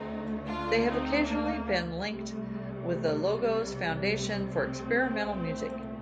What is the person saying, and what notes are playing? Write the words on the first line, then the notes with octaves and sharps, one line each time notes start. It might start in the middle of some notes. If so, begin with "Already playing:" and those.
They have occasionally been linked with the Logos Foundation for experimental music.
Already playing: D2 D3 A3 C4 D#4
D4 F4
C4 D#4
A#3 D4
A3
C2 C3 G3
A#3
A3 C4
A3 C4
C2 A#2 A3